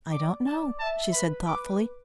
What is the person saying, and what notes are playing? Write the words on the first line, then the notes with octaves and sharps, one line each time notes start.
"I don't know," she said thoughtfully.
D5 D6
A5
E5 A5
B4 B5
D6